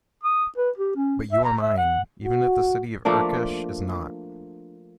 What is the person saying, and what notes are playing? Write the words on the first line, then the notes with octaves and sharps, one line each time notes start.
But you are mine, even if the city of Urkesh is not.
D#6
B4
G4
C#4
E5
A#5
E5
F#5
F#4
F3 A3 A#3 D4